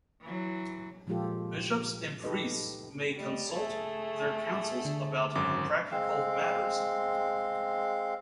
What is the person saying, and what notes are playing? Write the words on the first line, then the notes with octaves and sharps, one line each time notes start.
Bishops and priests may consult their councils about practical matters.
E3 F#3
A#2 F3 G#3 F4 G4 A4
D#4 G4 A4 B4 D#5
G3 A3 D#5
A3 G#4 A4
D3
G#1 F#2 D6
G#3 C4 F5